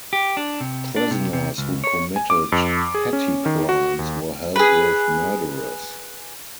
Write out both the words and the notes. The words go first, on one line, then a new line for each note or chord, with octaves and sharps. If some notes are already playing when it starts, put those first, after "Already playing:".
Prisoners who committed petty crimes were held with murderers.
G4
D4
C3
D4
C3
C3
C#2
C#5
G#5
D6
F2
G#4
C#4
D#3
F#4
D#2
G#4 B4